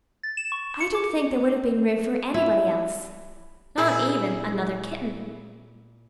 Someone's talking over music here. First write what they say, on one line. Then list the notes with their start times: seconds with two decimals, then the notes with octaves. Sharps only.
I don't think there would have been room for anybody else, not even another kitten.
0.23 A6
0.37 E7
0.52 C#6
0.80 C#7
0.95 D6
2.34 E4
3.78 A#2 E4 G#4